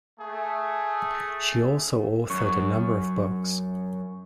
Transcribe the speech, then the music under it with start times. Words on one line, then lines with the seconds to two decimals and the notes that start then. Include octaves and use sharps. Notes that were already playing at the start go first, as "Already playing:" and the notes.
She also authored a number of books.
0.20 A3 G#4
2.30 F#2 C#6